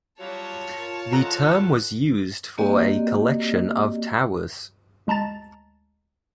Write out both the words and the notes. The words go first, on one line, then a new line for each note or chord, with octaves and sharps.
The term was used for a collection of towers.
F#3 G3 F4 C#5 A5
F4 A#4
F3 A4 F#5 A#5
A#3 C4 F#4 G4 D5 D#5
D2 G#3 A5 A#5 A6